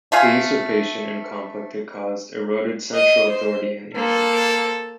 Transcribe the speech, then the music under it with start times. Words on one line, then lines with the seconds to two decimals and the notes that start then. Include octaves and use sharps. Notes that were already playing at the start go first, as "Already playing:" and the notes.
The usurpation and conflict it caused eroded central authority in England.
0.12 A3 F4 F5 G#5
2.94 D#5
3.28 C5
3.95 A#3 A4 C5